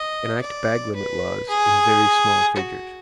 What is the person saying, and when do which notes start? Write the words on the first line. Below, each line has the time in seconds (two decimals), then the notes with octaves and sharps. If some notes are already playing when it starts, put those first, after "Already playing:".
Enact bag-limit laws, in very small figures.
Already playing: D#5
0.42 D5
0.96 B4
1.49 G#4
2.56 F#4